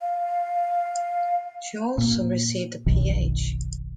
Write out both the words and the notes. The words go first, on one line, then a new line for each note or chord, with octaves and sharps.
She also received a Ph.
F5
A#2
F#1 B1 B2 D#3